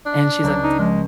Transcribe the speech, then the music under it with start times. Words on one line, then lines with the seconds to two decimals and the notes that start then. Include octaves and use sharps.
and she's like
0.06 D4
0.44 C#2 F#3
0.63 D#4
0.79 F3 G#3